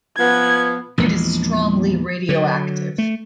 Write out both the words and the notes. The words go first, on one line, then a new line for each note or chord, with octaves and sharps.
It is strongly radioactive.
F3 B3 G#6
A#1 E2 E3 G#3
D3 F#3
A3